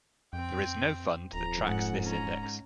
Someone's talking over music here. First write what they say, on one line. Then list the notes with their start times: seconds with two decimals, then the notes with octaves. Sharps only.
There is no fund that tracks this index.
0.33 F2 C4 G5
1.33 D1 F2 A#5
1.67 G#2 F#5
2.03 C#4 A#5